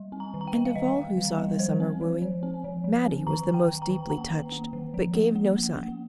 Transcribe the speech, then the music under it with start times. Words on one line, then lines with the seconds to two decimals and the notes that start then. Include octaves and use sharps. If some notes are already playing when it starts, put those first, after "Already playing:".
And, of all who saw the summer wooing, Mattie was the most deeply touched, but gave no sign.
Already playing: G3
0.12 C4
0.20 A#5
0.34 D#3
0.41 A#5
0.47 G5
0.55 G3
0.65 F5
0.75 D#3 D#5
0.96 G3
1.17 D#3
1.38 G3
1.59 F3 C5
1.80 C4
2.01 F3
2.22 F3
2.43 C4
2.64 F3
2.84 F3
3.06 C4
3.27 D#3 A#5
3.47 D#3
3.54 G5
3.68 D#3
3.82 A#5
3.89 D#3
4.10 A#3 A#5
4.31 D#3
4.52 A#3
4.73 D#3
4.94 F3
5.15 A#3
5.35 A#3
5.57 A#3
5.77 A#3